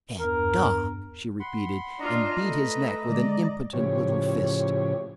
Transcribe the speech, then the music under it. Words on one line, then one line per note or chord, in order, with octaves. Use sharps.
"Bad dog!" she repeated, and beat his neck with an impotent little fist.
E2 G2 A#4
F#5 B5 C6
D4 F4 D#5 A#5
A3 B4
D3 G#3 D5
A2 C#3 F3 G4 C#5